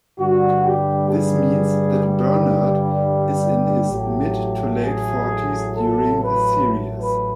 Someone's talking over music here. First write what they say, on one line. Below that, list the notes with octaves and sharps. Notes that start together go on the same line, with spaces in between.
This means that Bernard is in his mid- to late-forties during the series.
G2 D3 G3 F#4
G4
G#4
G4
A1 A2 F#3 A3
G#4
A4
B4
B4